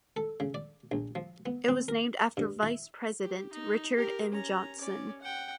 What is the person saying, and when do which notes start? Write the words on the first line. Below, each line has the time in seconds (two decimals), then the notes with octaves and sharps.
It was named after Vice President Richard M. Johnson.
0.17 A4
0.40 C#3
0.54 D5
0.92 A#1
1.15 F3
1.46 B3
1.68 C4
1.88 A#4
2.37 G2
2.63 E4
3.21 G4
3.53 D#4
3.96 G4 A#4
4.32 C#4 A#5
4.79 C#4 D5
5.22 F#5 G5